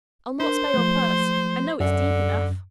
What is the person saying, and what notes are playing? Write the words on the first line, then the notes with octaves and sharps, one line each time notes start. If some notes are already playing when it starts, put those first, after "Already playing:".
I'll not spare your purse,--I know it's deep enough.
D4 A#4 C5
F3 A3
F#2 D3